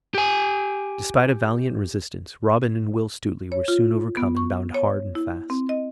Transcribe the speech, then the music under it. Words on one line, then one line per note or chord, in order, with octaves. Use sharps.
Despite a valiant resistance, Robin and Will Stuteley were soon overcome and bound hard and fast.
G4 G#5
C#5
F4
B3
C#6
C#5
E4
C4
D#5